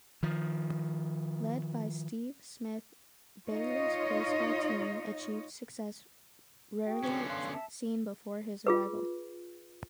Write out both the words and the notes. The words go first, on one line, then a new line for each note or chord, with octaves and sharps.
Led by Steve Smith, Baylor's baseball team achieved success rarely seen before his arrival.
D#3 F3
D#4 F4 C#5 D#5
F#4 G#4 G5
D3 B3 C#4
F5 C6 F#6
E5 A5
F4 G#4 B4